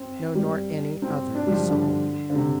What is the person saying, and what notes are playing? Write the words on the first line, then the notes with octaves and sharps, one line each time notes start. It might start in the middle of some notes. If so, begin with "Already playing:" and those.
No, nor any other soul.
Already playing: C4
G3
C4
D4
G3
F3
D3
D3
C3